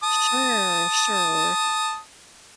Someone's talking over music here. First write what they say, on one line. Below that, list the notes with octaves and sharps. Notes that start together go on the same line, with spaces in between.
Sure. Sure.
A5 D#6